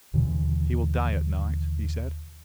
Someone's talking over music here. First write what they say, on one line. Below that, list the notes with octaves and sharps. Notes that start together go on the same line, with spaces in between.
"He will die at night," he said.
D#2 B2 D3 E3